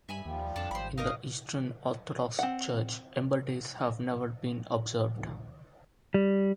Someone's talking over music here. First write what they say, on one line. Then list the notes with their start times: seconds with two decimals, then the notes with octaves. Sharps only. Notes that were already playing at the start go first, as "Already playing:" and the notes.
In the Eastern Orthodox Church ember days have never been observed.
0.09 G2 E5 G#5 B5
0.26 D#2 F3 G3 G4
0.56 F2 D4 A4
0.71 G#1 C5 B5
0.98 F#2 D#4 A#4 D#5 F5
2.39 C4 F#5
6.14 G3